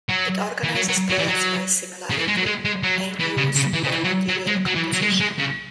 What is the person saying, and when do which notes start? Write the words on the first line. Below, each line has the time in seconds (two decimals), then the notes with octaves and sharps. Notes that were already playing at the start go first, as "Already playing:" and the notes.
It organizes products by similarity, end use, or material composition.
0.09 F#3
0.64 E3
0.76 F#3
0.89 F#3
1.09 F#3
1.18 E3
1.28 F#3
2.10 C#3
2.19 E3
2.28 G#3
2.37 F#3
2.46 G#3
2.65 G#3
2.83 F#3
3.20 E3
3.37 C#3
3.55 C#3
3.73 E3
3.83 C#3
3.92 E3
4.05 F#3
4.29 F#3
4.47 G#3
4.66 F#3
4.75 E3
4.93 F#3
5.02 G#3
5.20 G#3
5.38 C#3